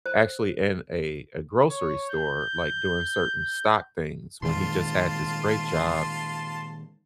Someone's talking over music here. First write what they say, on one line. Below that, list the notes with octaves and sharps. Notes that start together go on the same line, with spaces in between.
actually in a a grocery store, like, doing certain stock things when he just had this great job,
C5
C#5
G6
A#2 D#3 G#3 F4 A5 C6